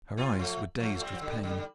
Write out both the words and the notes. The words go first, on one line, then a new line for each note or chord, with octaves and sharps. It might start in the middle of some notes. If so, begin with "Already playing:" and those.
Her eyes were dazed with pain.
C4 F4
F3 A3
F3 A3
A3
G3 C4
F3
D3 G3
D3 G3
G3